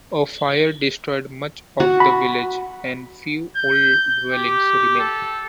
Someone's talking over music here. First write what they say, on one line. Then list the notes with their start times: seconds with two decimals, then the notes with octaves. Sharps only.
A fire destroyed much of the village, and few old dwellings remain.
1.80 F#4
2.00 B5
3.57 G6
4.33 G4
4.99 A4